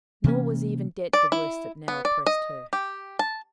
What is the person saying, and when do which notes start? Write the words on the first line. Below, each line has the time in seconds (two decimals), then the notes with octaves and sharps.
Nor was even debt the worst that now oppressed her.
0.24 C3 E3 A#3 C#4
1.13 D5
1.32 E4
1.88 B3
2.05 D5
2.27 D#5
2.73 G4
3.19 A5